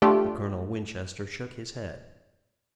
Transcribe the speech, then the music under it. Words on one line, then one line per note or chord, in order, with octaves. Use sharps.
But Colonel Winchester shook his head.
A3 D4 F4 G4